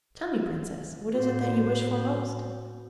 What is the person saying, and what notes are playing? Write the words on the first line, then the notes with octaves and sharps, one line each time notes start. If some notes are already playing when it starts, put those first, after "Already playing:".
Tell me, Princess, what is it that you wish for most?
A2 C4 F#4 C5